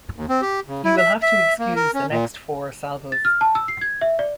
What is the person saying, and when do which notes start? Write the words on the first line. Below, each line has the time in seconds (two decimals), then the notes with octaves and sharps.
You will have to excuse the next four salvos.
0.16 D#2
0.29 C4
0.42 G4
0.68 C#3
0.84 E4
0.97 E5
1.22 E5
1.59 A#3
1.76 A#4
1.94 C#4
2.11 A#2
3.12 A6
3.25 F6
3.41 A5
3.55 E6
3.68 C7
3.81 G#6
4.01 E5
4.19 D5